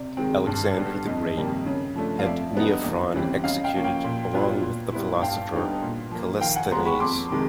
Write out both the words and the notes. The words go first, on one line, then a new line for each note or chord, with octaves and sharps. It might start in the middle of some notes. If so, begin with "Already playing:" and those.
Alexander the Great had Neophron executed along with the philosopher Callisthenes.
Already playing: C3 D5
D#3 G#3 C4
G2
D3 G3 B3
F2 D#5
C3 D#3 G3 A#3
C#3
F3 A3 D4
F5
F2 D5 E5
D3 G3 B3 D#4
E2
C#3 E3 G3 C4
C#3 D#5 F5
F5 G5
F3 A#3 C#4
F5 G5
A#2
F#3 B3 D4 F4
A#2
G3 B3 E4
G2 F5 G5
D3 G3 B3 D#4
A#2
F3 A#3
D#3 F5 G5
F#5 G#5
G#3 B3 A#5 C6
B5 C#6
F2 C6 D6
C3 D#3 G#3